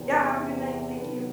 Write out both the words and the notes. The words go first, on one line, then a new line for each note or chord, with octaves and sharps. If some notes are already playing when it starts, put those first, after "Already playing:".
Yeah, have a good night. Thank you.
Already playing: E2 C3 E3
B4 C#5
A#4 C5
C3 D#3 F#3 A4 B4